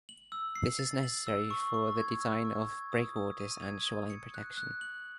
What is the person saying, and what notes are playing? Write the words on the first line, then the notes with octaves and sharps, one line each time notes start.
This is necessary for the design of breakwaters and shoreline protection.
F#7
E6
C7
A6
F#7
E6
C#6
C#6
G#6
E6
C#6
G#6
D#6
D#6
D#7
G#6
D#6
C#7
F#6
F#6
F#7